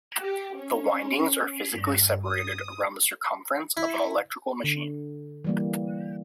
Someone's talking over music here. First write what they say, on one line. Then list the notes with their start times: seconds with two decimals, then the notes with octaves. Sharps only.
The windings are physically separated around the circumference of an electrical machine.
0.21 G4
0.57 C#4
1.74 G2
2.28 D#6
3.77 E4
4.64 D3
5.44 E3 G3 A#3